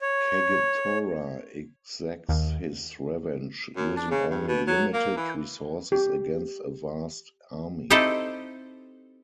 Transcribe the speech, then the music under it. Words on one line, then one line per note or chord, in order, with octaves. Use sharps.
Kagetora exacts his revenge, using only limited resources against a vast army.
C#5
D#2
F#2
D4
C#3
G2
B2
F#3
A#3
E3
G4
C4 D#4 E4 G4 A4 D#5